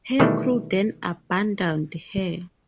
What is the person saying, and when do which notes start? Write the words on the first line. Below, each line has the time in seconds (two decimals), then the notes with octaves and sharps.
Her crew then abandoned her.
0.20 B2 D#3 E3 G3 A3